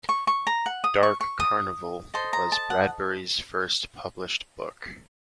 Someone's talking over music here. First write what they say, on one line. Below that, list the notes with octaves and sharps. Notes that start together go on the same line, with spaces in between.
"Dark Carnival" was Bradbury's first published book.
C#6
C#6
A#5
F#5
D#6
C#6
C#6
D#6
A4 C5 D#5 C6
A#5
A5
F#5